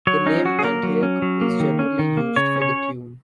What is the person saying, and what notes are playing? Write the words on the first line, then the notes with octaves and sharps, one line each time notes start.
The name "Antioch" is generally used for the tune.
F#3 C#5
C#4 D#4
F#3 F#4
G#4
A#3 A#4
F#3
C#4
F#3
A#3
D#3
C#4
D#3
A#3
C#3 C#5
C#4
C#5